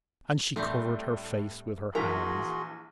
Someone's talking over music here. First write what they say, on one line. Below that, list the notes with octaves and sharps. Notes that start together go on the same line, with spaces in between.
And she covered her face with her hands.
A2 G3 A3 C4
A#1 E3 F#4 G#4 A#4 A#5 C6 B6